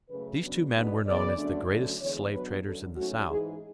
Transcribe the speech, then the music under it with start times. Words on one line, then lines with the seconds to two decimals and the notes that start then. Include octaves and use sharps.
These two men were known as the greatest slave traders in the South.
0.09 F#2 C#3 F#3 A3 B4
0.42 C#3 F#3 B3 D4
0.74 B2 G#3 B3 D4
1.05 E2 C#3 G#3 B3 D5
1.37 F#2 D3 A3 D4
1.69 D2 D3 F#3 C#4
2.01 E2 D3 G#3 C#5
2.33 B2 F#3 B3 D4 B4
2.65 F#2 D3 F#3 A4
2.97 G#2 F#3 A3 C#4 F#4
3.28 G#2 E3 G#3 G#4